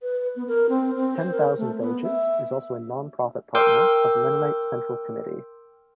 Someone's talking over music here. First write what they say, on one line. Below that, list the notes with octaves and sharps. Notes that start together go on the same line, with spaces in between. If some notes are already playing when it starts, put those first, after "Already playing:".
Ten Thousand Villages is also a nonprofit partner of Mennonite Central Committee.
B4
B3
A#4
C4
C4
C5
A#4
A3
B3
E5
A#4 G5 C6 D6 E6 G6